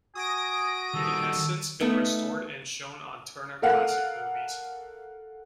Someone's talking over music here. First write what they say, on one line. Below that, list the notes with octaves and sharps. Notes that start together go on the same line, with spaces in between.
It has since been restored and shown on Turner Classic Movies.
F#4 G#5 D#6 A#6 D7
D#3 G3 A4
A3 B3 D#4 B4
A4 A#4 F5 F#5